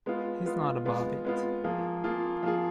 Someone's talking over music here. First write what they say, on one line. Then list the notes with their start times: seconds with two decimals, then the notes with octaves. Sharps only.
He's not above it.
0.06 G#3 B3 F4
0.45 G#3 B3 F4
0.85 G#3 B3 F4
1.25 G#3 B3 F4
1.64 F3 A#3 F4 G#4
2.04 F3 A#3 F4 G#4
2.43 F3 A#3 F4 G#4